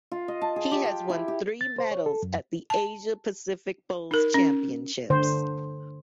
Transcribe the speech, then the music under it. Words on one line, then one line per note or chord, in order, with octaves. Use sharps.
He has won three medals at the Asia Pacific Bowls Championships.
F4
D#5
A5
G#4
G4
G5
E4
G4
A6
C5
C#5
A4
F#2
A5
D#4 A#4
C#4
D3 C5